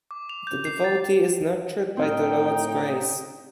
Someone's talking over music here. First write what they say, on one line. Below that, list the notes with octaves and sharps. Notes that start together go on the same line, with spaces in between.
The devotee is nurtured by the Lord's grace.
D6
F7
G6
C7
A6
A2 C4 D#4 G5 F6